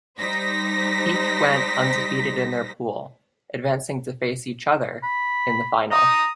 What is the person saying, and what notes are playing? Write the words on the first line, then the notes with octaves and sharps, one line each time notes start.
Each went undefeated in their pool, advancing to face each other in the final.
G3 D#4 C5 A#6 B6
B5
A#5 D#6